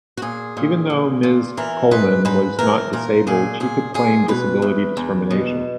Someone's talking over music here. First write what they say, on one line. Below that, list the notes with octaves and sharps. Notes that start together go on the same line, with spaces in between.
Even though Ms Coleman was not disabled, she could claim disability discrimination.
F#4
A#2 G#4
A#2
A#2
A#2
E3 A#4
G#2 B4
G#2 B4
E3 A#4
A#2 A#4
A#2 G#4
A#2 G#4
A#2 G#4
B2 B4
E2
E2
B2